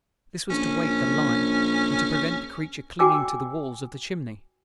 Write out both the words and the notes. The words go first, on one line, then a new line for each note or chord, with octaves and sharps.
This was to weight the line and to prevent the creature clinging to the walls of the chimney.
A#1 C#4
F#4 G5 G#5 D6 E6